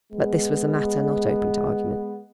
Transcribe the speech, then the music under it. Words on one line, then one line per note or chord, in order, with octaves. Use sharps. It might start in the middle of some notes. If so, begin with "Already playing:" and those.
But this was a matter not open to argument.
G#3 B3